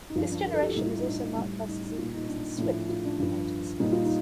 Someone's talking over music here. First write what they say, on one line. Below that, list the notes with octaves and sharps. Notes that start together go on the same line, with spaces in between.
This generation was also marketed by Suzuki as the "Swift" in the United States.
D#4
G2 F3 F4
D4
A#4
A4
G4
F4
A2 G3 D#4
F4
D#4
D4
A2 G3
D#4
D#4
A#2 G3 F4
D#4
D4
A2 F3 D4
F4
D4
G2 F3
A#2 G3 D#4
F4
D#4